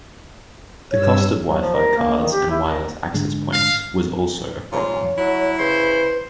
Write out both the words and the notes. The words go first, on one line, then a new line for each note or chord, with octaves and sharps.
The cost of Wi-Fi cards and wireless access points was also a problem.
G2 C#5 E6
F#3
F3
A#4
A#3
D#3
G4
E4
A#4
G#2 D3 G#3
F5
G#2 F4 C#5
F#3 E4
C#3 B4 C5